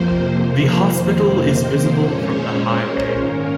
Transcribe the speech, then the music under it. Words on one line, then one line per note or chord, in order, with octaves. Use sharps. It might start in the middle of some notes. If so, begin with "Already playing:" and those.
The hospital is visible from the highway.
Already playing: F2 C3 F3 A#3 C5
F2 C3 D#3 A#3
C5
A#2 G#3 C#4 C#5
C5
A#4
G#2 D#3 A#3 C#4 A#4